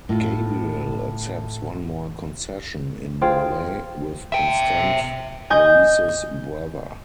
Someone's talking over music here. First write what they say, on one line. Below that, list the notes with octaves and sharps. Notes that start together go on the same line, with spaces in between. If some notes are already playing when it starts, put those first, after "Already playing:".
Gabriel accepts one more concession in Morlaix with Constant, Louise's brother.
A2 F4
F4 G#4 C5 G5
E5 G5
D#5 G#5 G6